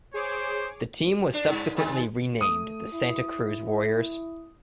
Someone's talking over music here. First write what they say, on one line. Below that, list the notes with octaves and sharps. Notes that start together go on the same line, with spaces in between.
The team was subsequently renamed the Santa Cruz Warriors.
G#4 C5 C#5 D6
D4
G2
D#3 G#3
A3 D#6
E4